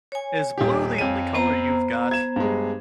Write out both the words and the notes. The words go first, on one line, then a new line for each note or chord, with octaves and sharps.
Is blue the only colour you've got?
C#5 G#5
D#1 G4
F2 D#7
B3 C5 A#5
G#6 E7
G2 G#3